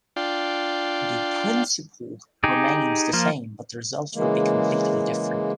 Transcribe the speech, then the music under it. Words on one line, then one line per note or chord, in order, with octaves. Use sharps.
The principle remains the same but the result will be completely different.
D4 F4 G5
D#4 G4 G#4
F3 A#3 F4
C#3 E3 G#3 A#3